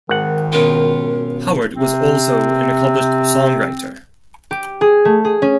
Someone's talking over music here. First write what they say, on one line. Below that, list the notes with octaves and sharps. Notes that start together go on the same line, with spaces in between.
Howard was also an accomplished songwriter.
G#1 D#3 F#5
B2 C#4 F4 A#4
C3 C4
G4
G#4
A3
G#4
C#4